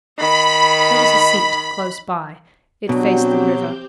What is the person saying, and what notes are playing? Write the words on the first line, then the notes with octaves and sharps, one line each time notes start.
There was a seat close by; it faced the river.
D#3 B5
B2 F#3 C4 D4 F#4 G4 G6